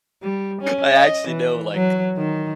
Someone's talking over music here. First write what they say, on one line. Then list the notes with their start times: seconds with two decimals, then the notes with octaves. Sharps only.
I actually know, like,
0.22 G3
0.62 C#4
0.94 D#5
1.28 E3
1.75 F#3
2.17 D#3